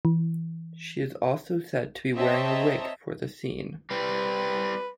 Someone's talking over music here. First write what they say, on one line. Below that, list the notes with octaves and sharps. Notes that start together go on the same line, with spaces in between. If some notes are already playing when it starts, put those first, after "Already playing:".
She is also said to be wearing a wig for the scene.
E3
C4 C#5 D#5 E5 A5 A#5
G3 C4 B4